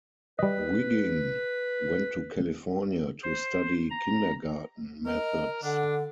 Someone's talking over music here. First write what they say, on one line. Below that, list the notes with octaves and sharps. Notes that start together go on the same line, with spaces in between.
Wiggin went to California to study kindergarten methods.
G3 B4 D#5
C5
A#5
A#4 D#5
D3 D4 F#5